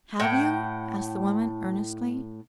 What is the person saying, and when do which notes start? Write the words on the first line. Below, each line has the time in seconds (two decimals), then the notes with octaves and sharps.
"Have you?" asked the woman, earnestly.
0.20 A2 F#5 G5